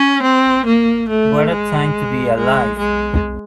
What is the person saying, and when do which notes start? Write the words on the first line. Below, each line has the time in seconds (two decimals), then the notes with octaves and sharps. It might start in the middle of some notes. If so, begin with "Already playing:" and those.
What a time to be alive.
Already playing: C#4
0.23 C4
0.66 A#3
1.09 A3
1.52 G#3
2.37 G#3
2.79 G#3